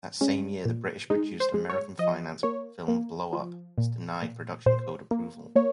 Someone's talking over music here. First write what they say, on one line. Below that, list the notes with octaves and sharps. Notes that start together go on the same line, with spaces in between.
That same year, the British-produced, American-financed film "Blowup" was denied Production Code approval.
G#3 C#4
A#2
G#3 D#4
C5
G#3
C#5
F3 D#5
A#3 C#5
A#3
F3
A#2
A#2
A#2 C5
A#3
A#3 C#5